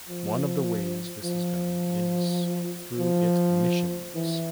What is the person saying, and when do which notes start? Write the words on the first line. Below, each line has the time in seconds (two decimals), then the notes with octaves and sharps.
One of the ways this is done is through it missions.
0.09 F3
1.24 F3
2.99 F3
4.15 E3